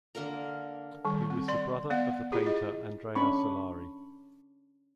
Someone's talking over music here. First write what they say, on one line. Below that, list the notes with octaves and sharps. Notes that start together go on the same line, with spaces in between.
He was the brother of the painter Andrea Solari.
D3 A#3 A#4 A#5
D#3 G3
C4
D5 C6
B3 D5 F#5
E4 F4 G4 G#4
G#4 D#5
C#4 D4 B5 C#6